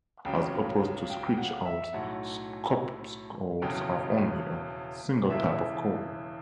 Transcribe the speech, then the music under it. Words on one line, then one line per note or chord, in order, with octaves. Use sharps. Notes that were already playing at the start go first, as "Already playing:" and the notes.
As opposed to screech owls, scops owls have only a single type of call.
C#2 C#3 F#3 G5
G5
G5
F#5
E5
E5
B1 A2 F#3 F#5
E1 E2 C#3 F#3 G5
E1 E2 C#3 E3 E5